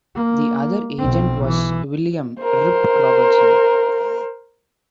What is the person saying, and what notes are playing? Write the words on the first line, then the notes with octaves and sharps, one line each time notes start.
The other agent was William "Rip" Robertson.
A#3
B1 C4
E3
A#4 C5